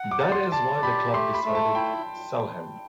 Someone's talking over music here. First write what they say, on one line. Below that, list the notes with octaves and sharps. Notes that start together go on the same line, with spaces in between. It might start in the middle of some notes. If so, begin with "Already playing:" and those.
That is why the club decided sell him.
Already playing: F#5
D6
D5
C6
D5 A5
G4 B5
A3 C6
B5
A3
A5
E4 G5